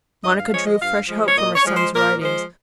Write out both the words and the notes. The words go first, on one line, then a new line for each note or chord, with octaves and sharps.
Monica drew fresh hope from her son's writings.
G2 D#5
F5
F3 G#3 C#5
D#5
G2 F5
F3 G#3
C#5
A#2 D#5
C#5
F3 G#3
C5
A#2 A#4
F3 G#3 C5